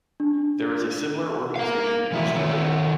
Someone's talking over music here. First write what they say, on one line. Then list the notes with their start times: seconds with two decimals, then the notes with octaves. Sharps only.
There is a similar organisation in Australia.
0.20 D4
1.56 A#4 F5
2.12 E3 A3 E4 F#4 E5
2.34 D#3 A4 C#5